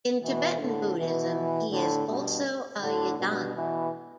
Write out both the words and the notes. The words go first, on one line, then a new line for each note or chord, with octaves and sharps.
In Tibetan Buddhism, he is also a yidam.
B2 E3
A2 D3
B2 E3
A2 D3
G2 B2
A2 D3
G2 B2
B2 E3